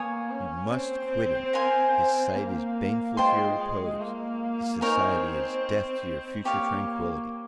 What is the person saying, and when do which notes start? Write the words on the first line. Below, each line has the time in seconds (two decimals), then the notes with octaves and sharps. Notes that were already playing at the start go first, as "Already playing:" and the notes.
You must quit him!-his sight is baneful to your repose, his society is death to your future tranquillity!
Already playing: A#3 C#5 G#5 D#6
0.30 C#4
0.71 C4
1.53 A#4 F5 G#5 C6
2.35 A#3
3.17 G#3 F4 C5 G5 C6
3.58 G#3
4.00 A#3
4.81 C4 D#4 A#4 C#5 G#5
6.45 A#3 G4 C#5 F5